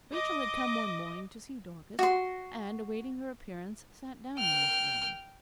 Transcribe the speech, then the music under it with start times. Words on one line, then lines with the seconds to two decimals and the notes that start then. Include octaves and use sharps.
Rachel had come one morning to see Dorcas, and, awaiting her appearance, sat down in this room.
0.13 D#5 D6
1.99 F#4 C6
4.39 G5 F6